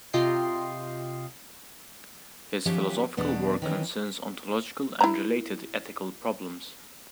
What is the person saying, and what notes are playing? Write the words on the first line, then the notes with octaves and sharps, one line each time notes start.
His philosophical work concerns ontological and related ethical problems.
C3 F4 D#5 G5 C7
D#3 F3 F#3 C#4 G4 E5
E2 B2 B3 D4
D#3 E3 C#4
E4 A#5